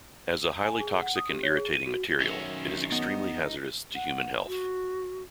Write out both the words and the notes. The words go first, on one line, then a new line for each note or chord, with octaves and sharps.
As a highly toxic and irritating material, it is extremely hazardous to human health.
G#5
G#4
F#5
D#6
G4
C#5
G#4
D#7
F#4
F#2 D#3 C#4 E5
B3 D#4 D#5
F#5
F#4